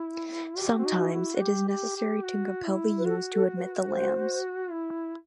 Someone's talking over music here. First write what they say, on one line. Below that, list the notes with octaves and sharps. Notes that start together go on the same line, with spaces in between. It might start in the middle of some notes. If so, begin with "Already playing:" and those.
Sometimes it is necessary to compel the ewes to admit the lambs.
Already playing: E4
F#4 G4
C4
D#4
E4
F#4
G4
G4
G4
F#4
E4
B4
F#4 A4
A4
C5
B4
C5
E4